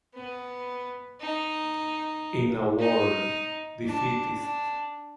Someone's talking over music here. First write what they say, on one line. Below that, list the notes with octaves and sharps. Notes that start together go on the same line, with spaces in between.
In a word, defeatist.
B3
D#4
D#4
D4
D4